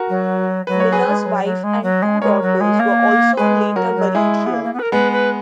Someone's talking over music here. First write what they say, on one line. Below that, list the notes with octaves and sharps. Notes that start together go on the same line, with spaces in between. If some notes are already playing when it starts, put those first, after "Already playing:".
Miller's wife and two daughters were also later buried here.
Already playing: F#4 A#4
F#3
F#3 B4
C#5
G#4 B4
G#3
F#3
F#3
G#3
F#3
G#3
G#3 A#4 C#5
F#3
G#3
A#3
G#3 G#4 B4
F#3 F#4 A#4
F#3
G#3 E4 G#4
B3
A#3
A#3
B3
B4
A#4
G#3 B3 B4
B4